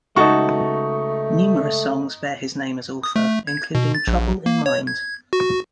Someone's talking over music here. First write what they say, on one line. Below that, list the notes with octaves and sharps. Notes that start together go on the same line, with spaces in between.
Numerous songs bear his name as author, including "Trouble in Mind".
C#2 A3 D#4 F#4 A4 C#6
D#6
A3
G#6
B2
A6
A#1
A#3
C#5
G#6
F#4